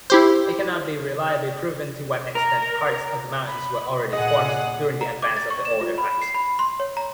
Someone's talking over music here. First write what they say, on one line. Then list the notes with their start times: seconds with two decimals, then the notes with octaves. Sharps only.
It cannot be reliably proven to what extent parts of the mountains were already formed during the advance of the older ice.
0.10 E4 G4 C5
2.35 A#4
3.47 B5
4.13 D#2 A#2 G#4 D#5 F#5
5.01 A#5
5.22 D6
5.37 A6
5.50 C#6
5.65 E7
5.81 F4
5.98 B5
6.22 C7
6.34 B5
6.59 C6
6.80 C#5
6.97 A#5